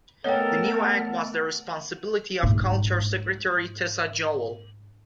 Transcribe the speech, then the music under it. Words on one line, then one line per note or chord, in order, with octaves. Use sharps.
The new act was the responsibility of culture secretary Tessa Jowell.
A3 B3 A4 A#4 C#5 D#5 F#5 G5
G#2 D4